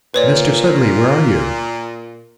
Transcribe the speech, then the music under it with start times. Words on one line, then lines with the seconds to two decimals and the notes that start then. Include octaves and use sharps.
"Mr. Sudley, where are you?"
0.14 A#2 B4 C#5 D5